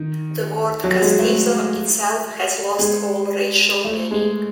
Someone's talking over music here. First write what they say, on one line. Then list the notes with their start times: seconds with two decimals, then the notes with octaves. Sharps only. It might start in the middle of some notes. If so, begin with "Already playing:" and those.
The word "castizo" itself has lost all racial meaning.
Already playing: D#3
0.84 F#3
1.02 G#3
1.19 A3
2.79 G#3
3.84 A3
4.11 G#3